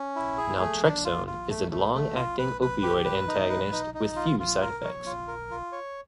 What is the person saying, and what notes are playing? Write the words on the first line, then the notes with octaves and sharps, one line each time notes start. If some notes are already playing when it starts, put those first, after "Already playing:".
Naltrexone is a long-acting opioid antagonist with few side effects.
Already playing: C#4
E4
G#4
A3
D4
F4
F4
A3
A3
A3
F4
B4
B4
G4
B4
D#4
B4
D#4
D#4
F4
F4
A#4
C#5
F4
A#4
F4
C#5